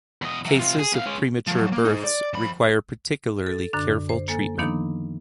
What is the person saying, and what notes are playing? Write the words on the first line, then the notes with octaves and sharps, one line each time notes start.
Cases of premature births require particularly careful treatment.
E2 D#5
E3 F#3
C3 F4
G#4
E2 F5
G#3 C#4
F3 F#3
A#3
D#4 G#4
D5
F2 B5
A4
F#2 D3 D4
C5
A#3 A4 G#5
D#3 F3 A#3 B3 D4 D#4